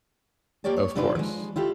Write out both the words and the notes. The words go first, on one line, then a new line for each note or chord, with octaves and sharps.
Of course.
A#3 G4 A#4 C#5 D5 A5
C#5
C3 D4 D#4 F4 B4 D5
F3 F#3 G#3
E4 F4 G4 A4